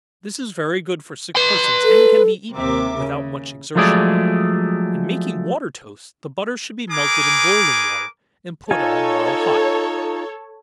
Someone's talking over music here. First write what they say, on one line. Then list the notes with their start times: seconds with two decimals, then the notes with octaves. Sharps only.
This is very good for sick persons, and can be eaten without much exertion. In making water-toast, the butter should be melted in boiling water, and put on while hot.
1.36 B4 C6
1.84 A4
2.54 D#2 C3 A#4 E5 D6
2.98 C#3
3.75 F3 F#3 G#3 A3 G#4 D5
6.90 G#4 A#4 B4 G#5 D6
8.71 D#4 F4 A4 C#5 G#5